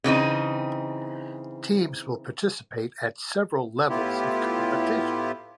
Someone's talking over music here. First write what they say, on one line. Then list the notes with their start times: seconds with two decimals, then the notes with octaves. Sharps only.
Teams will participate at several levels of competition.
0.04 C#3 E3 C4 D#4
3.90 A2 B3 E4 F4 G4